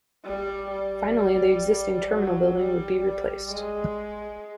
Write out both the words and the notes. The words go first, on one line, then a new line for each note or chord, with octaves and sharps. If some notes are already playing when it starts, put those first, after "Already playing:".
Finally the existing terminal building would be replaced.
G3
G3
F#3
G3
G3
G#3